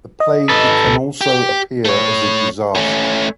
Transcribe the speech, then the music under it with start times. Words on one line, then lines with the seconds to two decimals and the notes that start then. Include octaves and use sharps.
The Plague can also appear as a disaster.
0.20 D#5
0.49 A4 B4
0.85 C#2 B2
1.21 G4
1.85 A3 C#5
2.75 A3 C#4